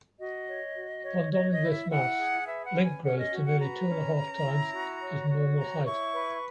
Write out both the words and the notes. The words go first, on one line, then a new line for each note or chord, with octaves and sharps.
Upon donning this mask, Link grows to nearly two-and-a-half times his normal height.
F#4 D#5
C#5
F#4
C#5
C#5 D#5
D#5
E4
E5
E4 F#5
G#4
B4 E5
F#5
C#4
G#5
C#4 F#5
D#5
F#4
F#5
B4 A#5
C#4
C#4
E4
F#4
C#5
F#4
C#5 A#5
E4 C#6
B4